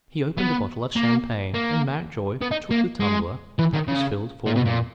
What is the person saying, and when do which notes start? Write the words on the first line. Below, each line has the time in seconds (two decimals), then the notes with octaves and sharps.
He opened a bottle of champagne, and Mountjoy took the tumbler that was filled for him.
0.38 B3
0.96 A#3
1.54 A#3
2.42 B3
2.51 D#4
2.71 A#3
3.00 G#3
3.59 E3
3.73 D#3
3.88 C#3
4.46 A#2
4.55 B2
4.65 A#2